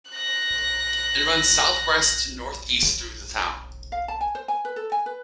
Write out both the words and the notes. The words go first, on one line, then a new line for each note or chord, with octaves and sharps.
It runs southwest to northeast through the town.
F#6 A#6
F5
A5
G#5
C5
G#5
B4
A4
G#5
B4